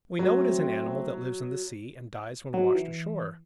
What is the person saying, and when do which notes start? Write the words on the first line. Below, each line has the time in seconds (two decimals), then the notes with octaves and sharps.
We know it is an animal that lives in the sea, and dies when washed ashore.
0.19 F#3 A3 C4
2.54 F#3
2.75 E3